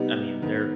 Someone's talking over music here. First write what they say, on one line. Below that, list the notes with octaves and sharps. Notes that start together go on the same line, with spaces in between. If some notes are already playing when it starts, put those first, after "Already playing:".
I mean, they're
Already playing: C3 G3 B3 D#4
D#3 B3 D#4